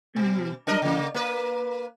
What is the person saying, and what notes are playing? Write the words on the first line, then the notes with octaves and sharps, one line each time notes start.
Mhm, mhm.
B2
D4 A#4 D#5
C#3 A#3
A#3 B4